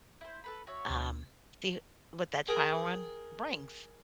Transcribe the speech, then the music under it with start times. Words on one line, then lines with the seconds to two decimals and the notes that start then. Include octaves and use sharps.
um, see what that trial run brings,
0.21 E4 C5
0.44 A4 B4 B5
0.67 F#4 C#5 E5
0.90 D2
2.48 G#4 A#4 G5